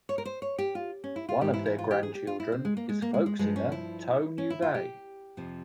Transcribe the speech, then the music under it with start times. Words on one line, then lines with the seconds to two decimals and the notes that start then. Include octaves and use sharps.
One of their grandchildren is folk singer Tone Juve.
0.09 C#5
0.18 A#4
0.25 C5
0.42 C#5
0.58 G4
0.75 F4
1.04 C#4
1.16 E4
1.29 F4
1.41 G#2 E3 G4
1.54 E4
1.66 E4
1.78 F4
1.91 G4
2.03 G#4
2.15 G4
2.27 F4
2.40 E4
2.52 C4
2.65 G#3
2.77 A#3
2.89 G#3
3.02 A#3
3.14 G#3
3.26 G#3
3.39 G2 F3 G#3
3.56 C#4
3.72 E4
4.38 C#4
4.50 E4
4.62 F4
4.74 G4
5.37 F2 C3 F3